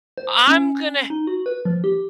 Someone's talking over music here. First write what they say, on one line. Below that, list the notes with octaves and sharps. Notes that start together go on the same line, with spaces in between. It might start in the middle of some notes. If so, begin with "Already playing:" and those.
I'm gonna
C5
C#4
D#4
F#4
B4
F3
G4